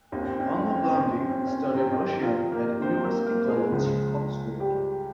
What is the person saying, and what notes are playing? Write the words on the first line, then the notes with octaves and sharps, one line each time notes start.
Anna Blundy studied Russian at University College, Oxford.
D#2 D#3 C4
C#4
C4
C#4
C4
C#4
C4
C#4
C4
C#4
C4
C#4
C4
C#4
C4
C#4
C4
C#4
C3 C4
C#4
D#3 D#4
F3 F4
A#3 A#4
C4 C5
A#3 A#4
A#3 A#4
G#3 G#4
C#2 C#3 F3
G3 G4